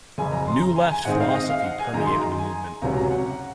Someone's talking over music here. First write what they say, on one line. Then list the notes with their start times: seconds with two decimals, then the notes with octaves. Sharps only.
New Left philosophy permeated the movement.
0.18 F#1 F2 C#3 G#5
0.32 A#5
0.47 C6
0.62 A#5
0.76 G#5
0.92 G#5
1.05 G#2 D#3 G#3 C4 D#4 F#5
1.20 F5
1.35 D#5
1.50 F5
1.64 F#5
1.79 G#5
1.94 F#2 D#3 G#3 D#4 A#5
2.06 C6
2.16 A#5
2.38 G#5
2.82 C#2 C3 F#3 C#4 A#5
2.97 A#5
3.11 F#5
3.26 F#5